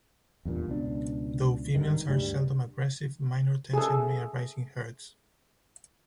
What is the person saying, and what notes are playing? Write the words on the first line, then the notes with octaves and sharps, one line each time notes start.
Though females are seldom aggressive, minor tension may arise in herds.
E2 G2 A#2
C#2 B2 D4
G#1 G2 D#3
D2 G2 G3
G#4 A4